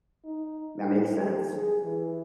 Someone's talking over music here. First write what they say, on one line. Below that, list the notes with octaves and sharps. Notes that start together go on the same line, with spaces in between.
That makes sense.
D#4
A2
G4
G#4
E3